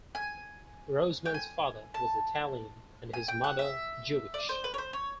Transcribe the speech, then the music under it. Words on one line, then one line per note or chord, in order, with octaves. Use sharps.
Rossman's father was Italian, and his mother Jewish.
G#5
G5
G#5
A5
G#5
G5
F#5
E5
D5
C5
B4
C#5
C5
C#5